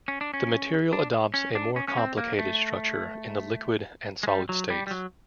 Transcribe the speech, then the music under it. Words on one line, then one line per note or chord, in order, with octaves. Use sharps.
The material adopts a more complicated structure in the liquid and solid states.
C#4
D4
C#4
D4
C#4
D4
C#4
C#4
C4
A#3
A3
G#3
G3
F#3
G3
G3
F#3